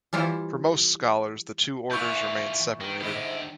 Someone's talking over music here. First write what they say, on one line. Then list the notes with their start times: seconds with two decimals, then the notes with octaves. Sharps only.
For most scholars, the two orders remain separated.
0.13 E3 G3 E4 F4 C5
1.91 A#2 E3 E4 F4 C#6 G6
2.81 D#3
3.01 G#2 D3 E4 G4 D#5